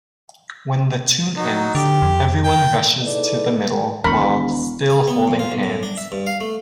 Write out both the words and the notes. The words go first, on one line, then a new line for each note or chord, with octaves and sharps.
When the tune ends, everyone rushes to the middle, while still holding hands.
F#3 D#4
D3 G4
F2
G5
D#4 E4 G#4 A4 B4 D5
E1 E2 D#3 A#4 B5 C#6
G#5
B3
F2
F4
B1
A2
D4
E5
G2
F5
A3